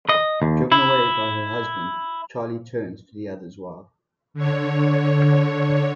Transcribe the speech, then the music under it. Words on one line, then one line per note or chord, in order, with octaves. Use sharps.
Driven away by her husband, Charlie turns to the other's wife.
D#5
D#2
E4
D3 C#5